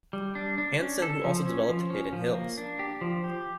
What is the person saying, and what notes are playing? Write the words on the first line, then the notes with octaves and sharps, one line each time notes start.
Hanson, who also developed Hidden Hills.
G3
D4
D4
C#4
A4
F3
C#4
F3
C#4
F3
A#3
D4
G4
F3
G4